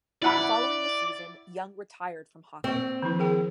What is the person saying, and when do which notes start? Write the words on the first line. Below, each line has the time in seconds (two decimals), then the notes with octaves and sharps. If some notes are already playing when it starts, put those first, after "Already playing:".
Following the season, Young retired from hockey.
0.22 E4 D5 F#5 B5
2.64 A#3 C4 G5 C#6
3.02 D#3 F3 E4
3.19 G#4 A#4 G5